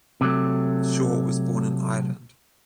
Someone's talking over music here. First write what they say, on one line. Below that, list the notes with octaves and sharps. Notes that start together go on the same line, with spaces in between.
Shaw was born in Ireland.
C3 F#3 A3